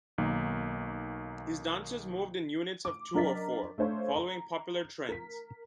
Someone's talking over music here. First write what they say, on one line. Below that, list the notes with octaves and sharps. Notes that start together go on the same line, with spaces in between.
His dancers moved in units of two or four, following popular trends.
B1 D#3 A#3
D6
F#3 D4 A#4 D#5 A6 B6
A3 D4 C5 C#5 F5
A#5
A#4 B6